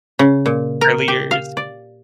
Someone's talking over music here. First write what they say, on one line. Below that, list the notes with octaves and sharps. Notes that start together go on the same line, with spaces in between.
early years?
C#3
A#2
A#4
G4
F5
D5